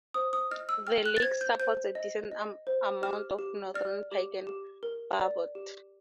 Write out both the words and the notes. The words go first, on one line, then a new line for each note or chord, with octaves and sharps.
The lake supports a decent amount of Northern Pike and Burbot.
C5 D#6
D#6
D#5 F6
E6
G5 F6
F#6
A6
C5 G#6
G6
C5 G6
D#5
D#5
C5
G4 F6
G4
D5 F6
G4
G4
A#4
D5
G4